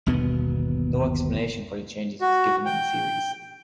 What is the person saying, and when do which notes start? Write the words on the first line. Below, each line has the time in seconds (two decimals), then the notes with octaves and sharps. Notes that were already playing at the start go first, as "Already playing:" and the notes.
No explanation for the changes was given in the series.
0.06 G1 D#2 B2 B3
2.21 F#4
2.65 G5